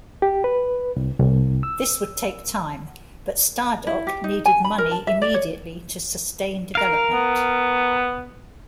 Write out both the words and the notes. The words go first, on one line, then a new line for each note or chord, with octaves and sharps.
This would take time, but Stardock needed money immediately to sustain development.
G4
B4
C2
C2
E6
E4
G4
D#4
G#5
B5
A#4
A5
E5
D5
C#5
A#4 F5
B3